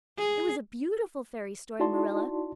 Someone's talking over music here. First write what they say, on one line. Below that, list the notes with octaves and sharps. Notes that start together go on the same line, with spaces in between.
It was a beautiful fairy story, Marilla.
G#4
D#4 E4 F#4 D5 A5 C6